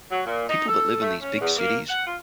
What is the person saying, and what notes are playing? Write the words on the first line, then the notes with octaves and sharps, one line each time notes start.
people that live in these big cities,
F#3
A#2
D#4
A4
A3
C#4
E2
A#3
F#5
F4